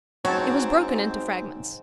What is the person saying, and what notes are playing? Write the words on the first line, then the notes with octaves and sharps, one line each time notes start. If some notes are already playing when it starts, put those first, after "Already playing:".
It was broken into fragments.
G#2 F#3 C4 C#5 A5